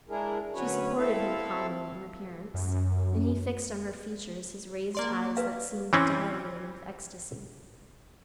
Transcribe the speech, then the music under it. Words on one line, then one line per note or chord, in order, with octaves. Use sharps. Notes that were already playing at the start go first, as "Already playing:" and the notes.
She supported him calmly, in appearance; and he fixed on her features his raised eyes that seemed dilating with ecstasy.
G#3 D4 E4 G#4 A#4
D2 F#3 C#4 F#4 B4 C#5
C4 E4 A4 E5 F5
F#2
A#3 D5 C6
B4 F5
E3 C4 C#4